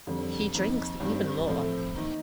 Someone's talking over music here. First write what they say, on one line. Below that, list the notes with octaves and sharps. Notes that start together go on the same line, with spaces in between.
He drinks even more.
F2 D3 G3 C4
F2 D#3 A#3 D#4
G2 D#3 G3 C4
A2 F3 A3 C4
D#3 A#3 D#4